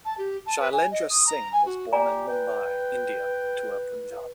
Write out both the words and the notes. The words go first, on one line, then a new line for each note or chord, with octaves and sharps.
Shailendra Singh was born in Mumbai, India to a Punjabi Family.
A5
G4
A5
B4
G#5
D#5
D#6
A#5
G#5
F#4
G4 D5 G#5 A#5
B4 G5